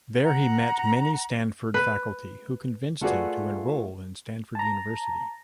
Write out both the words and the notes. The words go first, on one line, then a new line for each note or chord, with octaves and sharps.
There he met many Stanford faculty, who convinced him to enroll in Stanford University.
F#5 A#5
B4
A3 F4 F#4 G#4 B4 D5
A5 A#5